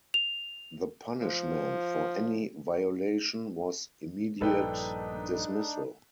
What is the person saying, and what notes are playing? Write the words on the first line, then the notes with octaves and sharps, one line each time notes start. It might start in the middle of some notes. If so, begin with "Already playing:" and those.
The punishment for any violation was immediate dismissal.
F7
F3
A#1 G2 D4 D#4 A4 B4 G5